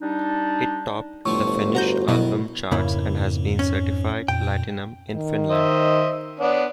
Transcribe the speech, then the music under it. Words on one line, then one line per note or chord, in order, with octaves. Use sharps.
It topped the Finnish album charts and has been certified Platinum in Finland.
G3 D4 D#4
G1 A2 F3 C#6
F#4 B4 F#5 A#5 G6
B2 D#3 F#3 E4
F2 G#2 C#3 A#3 E4
C#4
F2 A#2 G5
D#3
C5 D#5 E5
B3 D4 C#5